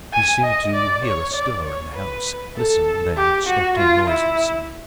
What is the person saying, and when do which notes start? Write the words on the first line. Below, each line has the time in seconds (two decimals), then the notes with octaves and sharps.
He seemed to hear a stir in the house--listened--then stepped in noiselessly.
0.13 G#5
0.44 D#5
0.74 D5
1.03 C#5
1.34 D5
1.65 C#5
1.95 B4
2.56 A4
3.16 G4
3.47 F#4
3.77 F4
4.07 E4